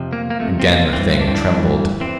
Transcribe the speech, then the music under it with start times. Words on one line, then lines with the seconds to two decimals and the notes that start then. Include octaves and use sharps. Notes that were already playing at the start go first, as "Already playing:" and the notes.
Again the Thing trembled.
Already playing: F2 C3 F3
0.13 A#3
0.30 A#3
0.39 F2 C3 F3 A3
0.60 C4
0.67 A#3
0.93 G2 E3 C4
1.20 D4
1.28 C4
1.35 D4
1.47 G2 E3
2.00 E3 C4